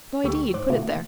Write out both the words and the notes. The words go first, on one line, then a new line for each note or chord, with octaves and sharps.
No idea you'd put it there.
D2 D3 G4 B5 C#6 E6
G#2 C5 D6 F#6
B2 D3 A3 A#3 E4 F#4